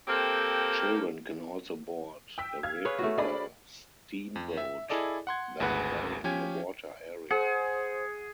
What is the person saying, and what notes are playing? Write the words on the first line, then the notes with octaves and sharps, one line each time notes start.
Children can also board a replica steam boat, then play in the water area.
A#3 C4 G4 A4 A#4 C5
G5 E6 B6
F5 F6 G#6
G#4 B4 C#5
A3 F#4
D4 G#4 D5 B5
F2
E5
E4 G#4 A4 D5 D#5
F#5 C6 G#6
G#1 D2 G#4 B4 F#5
F3 C#4 G4 G#5 G#6
G#4 C5 F#5